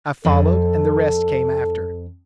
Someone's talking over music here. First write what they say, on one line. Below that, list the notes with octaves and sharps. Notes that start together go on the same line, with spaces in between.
I followed, and the rest came after.
F2 A4